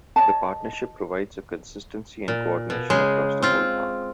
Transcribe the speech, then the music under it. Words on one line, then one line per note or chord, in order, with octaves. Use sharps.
The partnership provides a consistency and coordination across the whole park.
C#5 D#5 A5
A#2
B2
C#3 G#3
C4 F4